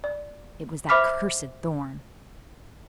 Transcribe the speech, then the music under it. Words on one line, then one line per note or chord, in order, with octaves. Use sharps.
"It was that cursed Thorn."
D5
C5 E5 B5 D6 F6 B6